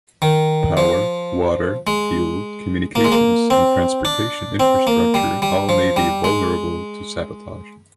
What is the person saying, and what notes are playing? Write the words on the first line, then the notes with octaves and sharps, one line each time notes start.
Power, water, fuel, communications, and transportation infrastructure all may be vulnerable to sabotage.
D#3
F3
G#3
A#3
G#3
A#3
C4
D4
C4
A#3
G3
G3
F3
G3
G#3